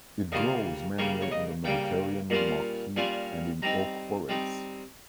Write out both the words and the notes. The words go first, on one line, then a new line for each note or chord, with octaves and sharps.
It grows mainly in the Mediterranean maquis and in oak forests.
C#3 G3 A#3 F4 D#5
C#3 G3 A#3 C#5
C#5
D#5
C#3 G3 A#3 G5
A#2 G3 C#4 F4
A#2 G3 C#4 F4 G#5
G3 C4 D#4 A#5
G3 C4 D#4